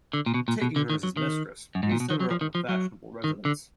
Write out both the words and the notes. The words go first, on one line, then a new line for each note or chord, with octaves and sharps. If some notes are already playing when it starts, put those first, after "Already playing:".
Taking her as his mistress, he set her up in a fashionable residence.
D3
A#2
B2
A#2
B2
D3
D#3
F#3
D#3
F#2
G#2
A#2
B2
D#3
F#3
F3
D#3
F3
F#3
D#3
D3